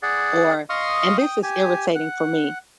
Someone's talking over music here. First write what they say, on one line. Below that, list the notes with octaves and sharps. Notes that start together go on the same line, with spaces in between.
or and this is irritating for me,
G#4 D5 F#5
D#5 F5 C6 C#6 D#6 F6
G5 D#6
G4 G#5
F#5